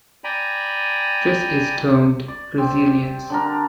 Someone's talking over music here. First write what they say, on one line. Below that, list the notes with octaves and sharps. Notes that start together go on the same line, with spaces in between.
This is termed resilience.
D5 G5 G#5 A#5 B5
D5
C4 G4
D3 D4 A#4